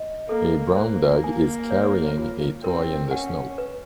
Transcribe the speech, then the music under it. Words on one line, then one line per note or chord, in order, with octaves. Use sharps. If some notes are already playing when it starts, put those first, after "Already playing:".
A brown dog is carrying a toy in the snow.
Already playing: D#5
A#3 A4
A#3 C5
G#5
C#5
F4
C4 A#4
C#4 F#5
B4